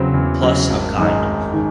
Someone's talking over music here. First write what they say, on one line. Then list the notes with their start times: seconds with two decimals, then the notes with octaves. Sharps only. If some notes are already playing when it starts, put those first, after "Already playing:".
Plus I'm kind.
Already playing: E2 C#3 F#3 C4
0.14 E2
0.42 C#3 F#3 C4
0.69 G#1
0.97 F#2 D#3 G#3 D#4
1.25 G#1
1.52 D#3 G#3 D#4